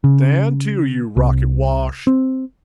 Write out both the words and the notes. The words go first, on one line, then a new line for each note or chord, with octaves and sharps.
"Stand to, you rocket wash!"
C#3
C2
C4